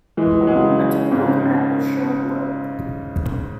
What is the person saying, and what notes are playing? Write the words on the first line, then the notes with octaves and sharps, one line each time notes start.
A typical command is shown below.
E3 G#3
F#3
G#3
C#3 F#3
G#2 C#3